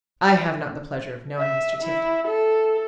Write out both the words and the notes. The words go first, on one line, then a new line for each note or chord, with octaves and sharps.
"I have not the pleasure of knowing Mr. Tifto."
E5
E4
A4